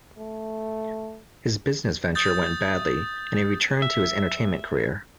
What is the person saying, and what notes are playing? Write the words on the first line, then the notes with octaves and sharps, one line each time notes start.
His business venture went badly and he returned to his entertainment career.
A3
D#6 G6 A6
E5